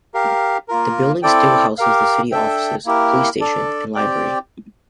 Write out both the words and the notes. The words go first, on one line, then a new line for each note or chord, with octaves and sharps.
The building still houses the city's offices, police station and library.
G4 A#4 F5
A#3 F4 A#4
C4 E4 A4 D5 G5
G4 A#4 F5
D4 A4 E5 G5
A#3 E4 G4 A#4
D4 A4 D5
C4 G4 D5 G5